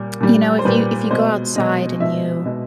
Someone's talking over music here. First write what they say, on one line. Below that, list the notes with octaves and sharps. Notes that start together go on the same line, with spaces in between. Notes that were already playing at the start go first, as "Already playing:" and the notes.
you know, if you if you go outside and you
Already playing: A#2 G3
A#2 G3
C5
A#2 G3 B4
B2 G#3 C5
B2 G#3 D#5
B2 G#3 E5
B2 G#3